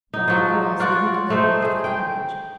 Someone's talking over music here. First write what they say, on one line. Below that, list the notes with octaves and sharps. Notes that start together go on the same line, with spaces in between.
One of the girls leaned a little out of the carriage.
D#4
F3 F#3
F4 F#4 D5
A3 D#4 C5
G#4
G5